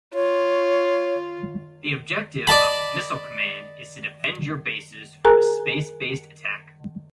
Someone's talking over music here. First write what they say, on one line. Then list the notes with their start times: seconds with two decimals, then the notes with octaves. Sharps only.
The objective of "Missile Command" is to defend your bases from a space-based attack.
0.14 F4 C#5
2.47 D5 D#5 A5 B5
5.25 G#4 A#4 G#5 A#5 F#6